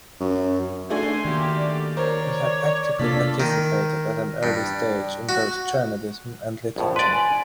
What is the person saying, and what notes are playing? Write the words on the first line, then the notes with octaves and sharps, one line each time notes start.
He had actively participated at an early stage in both journalism and literature.
F#2
A3 D4 F#4 G#5 C6
D#3 A#3 G4
D5
A#4 C5 C#5
C3 A#3 D4 F4 A4 D5 B6
D#3
G2
F#4
A#1 F2 A2
B4 D5 C6
G#5